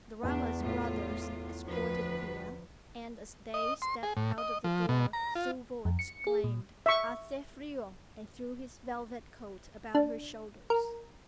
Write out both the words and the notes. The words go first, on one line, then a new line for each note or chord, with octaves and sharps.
The Ramas brothers escorted Thea, and as they stepped out of the door, Silvo exclaimed, "HACE FRIO!" and threw his velvet coat about her shoulders.
E2 B3 D4
A2 F4
D2 F3 B4
D#5
C6
G#4
A2
D#5
F3
B2
A#5
F4
F2
C#7
G#4
A#2
E5 C#6
D4
A#4